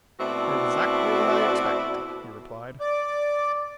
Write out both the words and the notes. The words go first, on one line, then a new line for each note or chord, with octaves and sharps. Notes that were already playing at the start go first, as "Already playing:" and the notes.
"Exactly what I expected," he replied.
B2 A3 C4 E4 F#4 D5
D5 D6